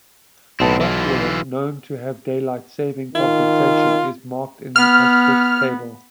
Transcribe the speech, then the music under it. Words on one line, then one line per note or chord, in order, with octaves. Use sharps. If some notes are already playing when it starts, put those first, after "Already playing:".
Software known to have daylight-saving compensation is marked in the Aspects table.
B1 A2 B3 C4 A5
E3 F4
D#3 F4
B3 F6